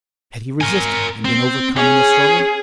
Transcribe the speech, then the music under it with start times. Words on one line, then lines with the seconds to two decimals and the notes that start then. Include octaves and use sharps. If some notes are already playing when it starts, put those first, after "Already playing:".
Had he resisted, and been overcome in the struggle?
0.61 A#4 G#5
1.25 C4
1.77 C#4 G#4